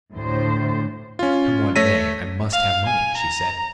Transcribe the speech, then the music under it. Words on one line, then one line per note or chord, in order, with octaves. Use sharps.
"Come what may, I MUST have money," she said.
D2 A2 C5
C#4 F4
A3 A4 C#5 A#6 B6 D#7
F5
G#5
A#5